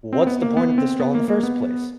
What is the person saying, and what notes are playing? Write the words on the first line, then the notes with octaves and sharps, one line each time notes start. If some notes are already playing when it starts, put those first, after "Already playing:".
What's the point of the straw in the first place?
C4
B3
A#3
B3
C4
B3
A#3
A#3
B3